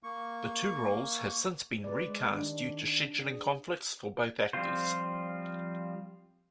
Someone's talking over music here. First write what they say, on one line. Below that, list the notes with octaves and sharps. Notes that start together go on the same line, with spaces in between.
The two roles have since been recast due to scheduling conflicts for both actors.
A#3 C#6
B4 D5
G#3
D#3 D4 G4
G#4
F3 G3 C4 F4 C5